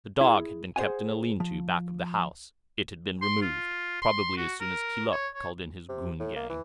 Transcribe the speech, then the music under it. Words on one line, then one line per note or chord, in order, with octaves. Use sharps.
The dog had been kept in a lean-to back of the house; it had been removed, probably as soon as Keeluk called in his goon-gang.
E4 G#4
G#4 C5 C#5 F#5 G#5
F3
C6
F4
C6
F#4
A#4
C#5
C#5
C3
A2
A#3
E3